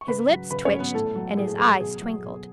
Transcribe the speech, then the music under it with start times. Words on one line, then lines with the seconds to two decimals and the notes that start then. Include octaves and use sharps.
His lips twitched and his eyes twinkled.
0.01 C#6
0.07 C#3 B4 B5
0.29 F#3
0.51 C#3 B4 B5
0.65 C#4 C#5
0.73 F#3
0.79 B3 B4
0.94 A2 A3 A4
1.15 F#3
1.37 A2 G#4
1.48 G#4
1.59 F#3 G#4
1.70 G#4
1.80 B2 G#4
2.01 F#3
2.23 B2